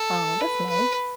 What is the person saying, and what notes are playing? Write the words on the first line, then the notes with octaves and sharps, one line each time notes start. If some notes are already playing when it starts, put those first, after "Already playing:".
Oh, that's nice.
Already playing: A4
B4
B4